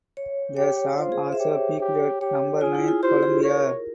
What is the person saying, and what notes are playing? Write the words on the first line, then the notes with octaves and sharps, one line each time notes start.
The song also peaked at number nine Colombia.
C#5
G4 C#5
C#5
F4 C5
G#4
E5
G4 C#5
G4
G4 C#5
F4 G#4
E4
F4
G4 C5
G#4
A#4 C#5